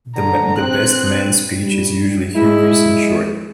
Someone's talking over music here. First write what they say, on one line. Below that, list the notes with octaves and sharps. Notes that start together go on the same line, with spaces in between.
The best man speech is usually humorous and short.
D3 A#5
C4 F#6
G3
G#3 E4